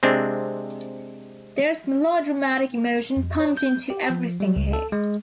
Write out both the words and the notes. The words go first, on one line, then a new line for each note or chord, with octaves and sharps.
There's melodramatic emotion pumped into everything here.
C3 G#3 C4 D4
F2
C#5
G6
G4
F3
G3
C#2
A4
G#3